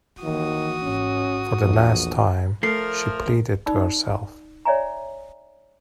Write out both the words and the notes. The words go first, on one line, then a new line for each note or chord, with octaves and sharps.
"For the last time," she pleaded to herself.
D#3 E3 A#3 F#4 D#6
G#1 C#4
A#1 E2 E3
F3 A3 A#4 C7
D#4 D5 B5 E6
C#5 D5 E5 G#5 A#5